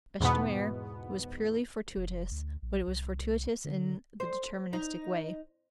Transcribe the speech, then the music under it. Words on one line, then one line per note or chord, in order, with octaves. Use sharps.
Bêche de mer was purely fortuitous, but it was fortuitous in the deterministic way.
E2 G#2 B2 B3
F1
D2
A#1
C2
D3
C5
D#4